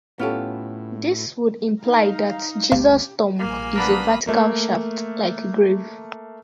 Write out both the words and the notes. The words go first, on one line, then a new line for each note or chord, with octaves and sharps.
This would imply that Jesus' tomb is a vertical shaft like grave.
A2 B3 C#4 F4 G4 A4
D#4 F5 A#5
G1 D2 G4 F5
A#1 G3 A#3 G#5
B3 D4 A#4 B5 D#6
A3 A#3